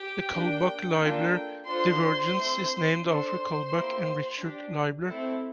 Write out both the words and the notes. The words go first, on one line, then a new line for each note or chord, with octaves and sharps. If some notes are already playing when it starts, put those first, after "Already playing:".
The Kullback-Leibler divergence is named after Kullback and Richard Leibler.
Already playing: G4 G5
A#3 D4 G4
A#3 D4 F4 A4
D4 F4 A4 C5 C6
A3 C4 E4
D4 A4 C5 C6
A#3 E4 G4
D4 G4
A3 C4 E4 A4